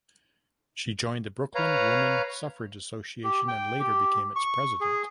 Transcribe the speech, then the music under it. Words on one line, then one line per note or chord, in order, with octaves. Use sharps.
She joined the Brooklyn Woman Suffrage Association and later became its president.
B4 C#5 F5 A#5
G4
G5
G4
C#6
G#4